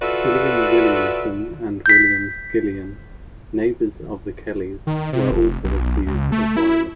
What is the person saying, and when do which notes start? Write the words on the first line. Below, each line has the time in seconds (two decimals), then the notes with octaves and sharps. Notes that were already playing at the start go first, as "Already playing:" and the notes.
William Williamson and William Skillion, neighbours of the Kellys, were also accused of violence.
0.02 F4 F#4 A4 B4 D5 E5
1.86 G6 B6
4.87 D#3
5.13 C3
5.31 F1
5.64 B1
6.07 C#2
6.32 A3
6.57 E4